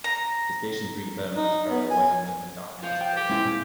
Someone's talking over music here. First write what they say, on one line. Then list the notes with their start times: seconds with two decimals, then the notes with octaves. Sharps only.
The station's redevelopment is part of the wider Melbourne Docklands development.
0.04 A#5
1.37 D#4
1.70 B3
1.90 G#5
2.83 F4 C5 F5
3.01 G5
3.16 G4
3.30 G#3 C4 E4
3.45 A#2